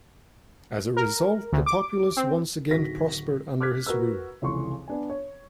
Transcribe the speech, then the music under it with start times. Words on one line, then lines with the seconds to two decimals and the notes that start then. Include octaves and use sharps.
As a result, the populace once again prospered under his rule.
0.97 A#4
1.52 D2
1.66 D6
2.17 C4
2.69 D1 D#3 F#4 A#6 B6
3.61 D6 F6 F#6 G#6 B6
3.87 F#4 A#4 B4 E6
4.42 F1 C#2 E3 C6 C#6
4.88 B3 D4 G#5
5.10 C#5